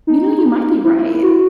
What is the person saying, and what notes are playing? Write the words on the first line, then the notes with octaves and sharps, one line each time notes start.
You know, you might be right.
D#4
E4
F#4